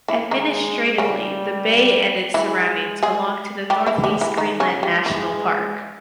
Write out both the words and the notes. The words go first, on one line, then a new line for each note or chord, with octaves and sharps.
Administratively the bay and its surroundings belong to the Northeast Greenland National Park.
E3 E4
D#3 G#3 D#4
C#3 G3 C#4
E3 G#3 E4
G#3 G#4
G3 G#3 G4
E3 E4
G3 G4
E3 E4
D#3 D#4
C#3 C#4
G3
E3 G#3